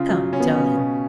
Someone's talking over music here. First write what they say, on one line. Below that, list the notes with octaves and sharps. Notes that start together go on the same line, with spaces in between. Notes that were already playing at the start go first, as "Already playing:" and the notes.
Come, tell him.
Already playing: C#3 F4
F#3
C#3 C#4
B3
C#4
C#3
B2